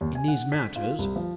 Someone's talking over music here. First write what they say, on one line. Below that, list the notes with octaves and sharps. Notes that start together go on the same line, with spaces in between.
In these matters.
D#2
G#5
F#5
B6
F4
C2
F3